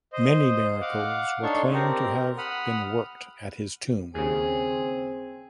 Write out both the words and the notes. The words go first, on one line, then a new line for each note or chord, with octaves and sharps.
Many miracles were claimed to have been worked at his tomb.
C5 D#5
F5 F#5 D6
D4 D#4 A4 C#5 C6 C#6
C4 G4 A#4
F#5 B5 D#6 F6
D#2 C#3 C4 G#4